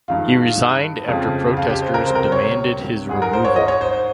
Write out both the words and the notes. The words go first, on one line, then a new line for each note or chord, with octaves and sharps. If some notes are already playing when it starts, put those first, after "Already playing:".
He resigned after protesters demanded his removal.
G2 D#3 G#3 F4
F2 C#3 F3 G#3
F4
G4
C5
A#4
C#2 C3 G3 C5
A#4
C5
C#5
G#2 G3 G#4
A#4
C5
C#5
D#5
C#5
C5
C5